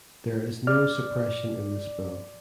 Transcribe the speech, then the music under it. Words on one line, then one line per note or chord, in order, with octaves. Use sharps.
There is no suppression in this bill.
D5 F6